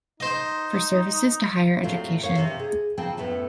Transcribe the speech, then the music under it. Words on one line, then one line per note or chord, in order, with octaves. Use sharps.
For services to Higher Education.
D#4 C5 D#5
A2 F#3 A3 C4 D4 F4
F#2 C#5 F5
C3
G#4
C#3 F3 F#3 C4 G5 A5
F2 A2 A3 B3 C#4